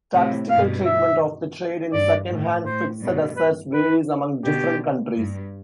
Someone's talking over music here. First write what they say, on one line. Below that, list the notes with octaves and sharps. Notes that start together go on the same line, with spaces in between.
Statistical treatment of the trade in second-hand fixed assets varies among different countries.
A2 C3
G2 B2 F5
E5
G2 D5
A2
A2 C5
G2 B2
B4
B4
B2 D3 G4
G2